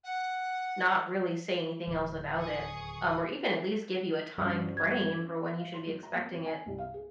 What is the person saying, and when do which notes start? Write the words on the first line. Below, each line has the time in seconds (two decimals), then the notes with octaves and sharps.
not really say anything else about it, um, or even at least give you a time frame for when you should be expecting it.
0.04 F#5
1.87 D1 D#2
2.38 G#4 C#6 D#6
4.38 D2 G2 C#4
4.77 G#6
5.58 F5
5.74 C6
5.87 F#3
6.03 A#5
6.15 A#3
6.33 C4
6.46 G#5
6.66 C2
6.78 F5
6.94 G#4